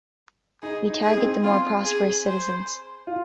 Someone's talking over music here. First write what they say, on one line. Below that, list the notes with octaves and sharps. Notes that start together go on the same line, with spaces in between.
We target the more prosperous citizens.
D#4 G#4
D#4
D#4 G#4
C4
C4 F4
G#4
C5
F4